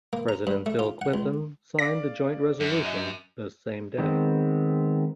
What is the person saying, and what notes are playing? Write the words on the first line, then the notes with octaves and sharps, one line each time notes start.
President Bill Clinton signed the joint resolution the same day.
A#3
A#5
G2
A3
F4
F#5
C#2
D5 F5 D6 A#6
F#2
D#5 E5
D#3 G#3 B3 C4